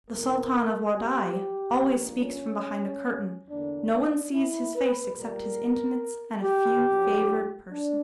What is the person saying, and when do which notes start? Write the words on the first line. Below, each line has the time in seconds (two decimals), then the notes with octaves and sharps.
The Sultan of Wadai always speaks from behind a curtain; no one sees his face except his intimates and a few favoured persons.
0.10 E2 B2 A#3 A#4
0.94 G4
1.79 A#1 A#2 A#3
2.21 C#4
3.48 E2 D3 A#3 D4
3.90 D4
4.32 E4
4.75 B4
5.17 A#2 G3 A#3 A#4
6.44 G4
6.86 A#1 A#2 F#3
7.71 D4